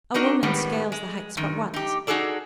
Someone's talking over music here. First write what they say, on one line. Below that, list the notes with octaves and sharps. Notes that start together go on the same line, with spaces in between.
A woman scales the heights but once.
D4 D#4 F#4 A#4 D#5
A2 D#3 G3 G#3 B3
G#3
F#2 D#3
D#4 G4
D#4 F#4 G#4 A4 D5